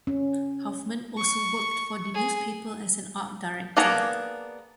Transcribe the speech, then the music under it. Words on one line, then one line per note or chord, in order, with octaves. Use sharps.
Huffman also worked for the newspaper as an art director.
C#4
C#6
G#4
A#3 B3 D4 G#4 A#5